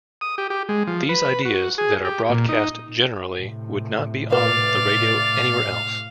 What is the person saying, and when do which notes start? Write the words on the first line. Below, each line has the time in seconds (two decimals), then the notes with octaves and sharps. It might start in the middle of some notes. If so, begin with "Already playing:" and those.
These ideas that are broadcast generally would not be on the radio anywhere else.
0.21 D#6
0.38 G4
0.50 G4
0.69 G#3
0.87 F3
1.09 B4
1.45 F#4
1.78 G#4
2.05 G4
2.29 A#2
2.49 D#4
3.35 A2 C3
4.33 B4 D5 F5